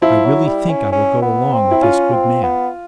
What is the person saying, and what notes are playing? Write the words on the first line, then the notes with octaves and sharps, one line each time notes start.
I really think I will go along with this good man.
F3 E4
F#3
G3
C#4
C#4
B3
C4
E4
C#4 F4
C4
B3